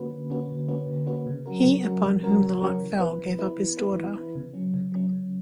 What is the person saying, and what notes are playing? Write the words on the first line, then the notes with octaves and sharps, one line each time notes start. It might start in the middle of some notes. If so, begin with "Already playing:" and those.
He upon whom the lot fell gave up his daughter.
Already playing: D3 A#3 C#4 F#4 B4
D3
A#3 C#4 F#4 B4
D3
A#3 C#4 F#4 B4
D3
A#3 C#4 F#4 B4
C#3
F#3 C#4 F#4 A#4
C#3
F#3 C#4 F#4 A#4
C#3
F#3 C#4 F#4 A#4
C#3
F#3 C#4 F#4 A#4
E3
B3 E4 B4
E3
B3 E4 B4
E3
B3 E4 B4
E3
B3 E4 B4
C#3
F#3 C#4
C#3
F#3 C#4
C#3